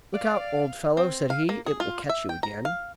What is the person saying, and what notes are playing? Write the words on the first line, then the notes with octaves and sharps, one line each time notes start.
"Look out, old fellow," said he, "it will catch you again."
D5 F5
C4
F5
A#3
G#4
F4
E5
G5
A#5
F5